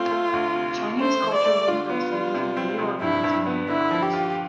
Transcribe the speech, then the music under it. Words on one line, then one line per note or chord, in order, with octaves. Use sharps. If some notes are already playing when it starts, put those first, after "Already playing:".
Chinese Culture University has been reorganized many times.
Already playing: A3 C4 F4
A3
D2
C3
C3
A3 C5
E3
D5
A3
D3 F4
B3
G3
C3
C4
C3
G2 E4
G2
B3
D3 E4
F3
G4
F4